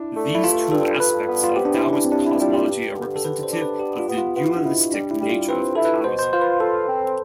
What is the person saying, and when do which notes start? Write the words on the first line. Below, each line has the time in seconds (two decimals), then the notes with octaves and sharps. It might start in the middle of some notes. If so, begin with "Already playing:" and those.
These two aspects of Daoist cosmology are representative of the dualistic nature of Taoism.
Already playing: D4 E4
0.16 A3
0.35 E4
0.43 G2 F4
0.72 G2 A4
1.00 G2 B4
1.28 B3
1.44 F4
1.56 C4 G4
1.65 D4
1.75 E4
1.84 E3
1.93 D4
2.05 C4
2.12 G2 D4
2.26 E4
2.40 G3 F4
2.54 G4
2.68 G2
2.96 D3
3.16 A4
3.24 D3 B4
3.43 C5
3.52 D4
3.62 B4
3.80 B3 G4
3.99 F4
4.08 B3
4.18 F4
4.36 B3 F4
4.46 E4
4.56 D4
4.64 B2 E4
4.92 G3 D4
5.11 E4
5.20 G3 G4
5.30 F4
5.48 C4 B4
5.75 E4 A4
5.85 B4
6.04 B2 C5
6.19 C5
6.23 B4
6.32 F4 C5
6.41 B4
6.60 F4 A4
6.88 C4